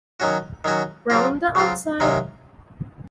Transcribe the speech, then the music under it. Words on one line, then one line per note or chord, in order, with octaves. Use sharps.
Round the Outside!
D#3 F#3 C#4 F#4
D#3 F#3 C#4 F#4
C#3 F#3 C4 F4
C#3 F#3 C4 F4
C3 D#3 F#3 A#3 C#4